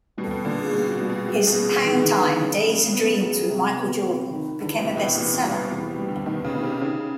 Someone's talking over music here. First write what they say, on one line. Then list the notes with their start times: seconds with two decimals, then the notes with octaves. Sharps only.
His "Hang Time: Days and Dreams with Michael Jordan" became a bestseller.
0.17 B2 G3
0.31 B2
0.45 A#2 D3
0.59 B2
0.73 B2 G3
0.92 B2
1.01 G3
1.09 B2
1.28 A#2 G3
1.47 B2
1.56 G3
1.65 B2
1.84 E3 D#4
1.97 E3
2.03 D#3
2.11 D#4
2.20 D3
2.39 C#3 F#3
2.67 F#3
2.94 B3
3.22 F#3
3.50 C3
3.77 B3
4.05 C3
4.32 D#3
4.60 E2 D3
4.79 C3
4.88 E2
4.97 B2
5.15 E2 A#2
5.34 B2
5.43 G3
5.52 B2
5.67 C3
5.71 E2 B2
5.89 C3
5.99 G3
6.09 D3
6.26 B2 D#3
6.44 C#3
6.54 B2
6.63 C3
6.81 C#3 D#4